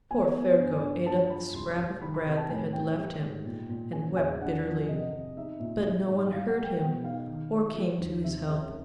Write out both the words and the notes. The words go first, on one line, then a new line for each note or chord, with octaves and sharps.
Poor Ferko ate up the scrap of bread they had left him and wept bitterly, but no one heard him or came to his help.
B3 G#5
B3
G2
G2
F3 A5
F3 B5
C2 C6
C2
D#3 B5
B5
C3
A5
A2 G#5
A3 G5
G3
G#2
A#2
A#2
C#3 G#5
E2 G#5
D4 F#5
F3
C3 D#5
C3
D#4 E5
A#2
E3
G#2
E3 F5
F#5
G#3
G5
B2 G5
D#4 F5
D#3
G#3
F3
D#2
C3 E5
C#2